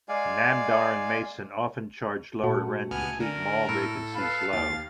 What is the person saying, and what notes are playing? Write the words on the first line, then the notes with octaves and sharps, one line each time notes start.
Namdar and Mason often charge lower rent to keep mall vacancies low.
G#3 D5 F5 G#5
A#2 A3 F#4
C#2 B3 G#5 F6
D3 A#4
A2 A4
B4 F5 B5
D#2 A6